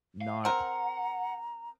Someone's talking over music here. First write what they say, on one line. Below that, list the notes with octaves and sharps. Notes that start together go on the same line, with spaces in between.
not v
F5
C4 A#4 F#5 A#5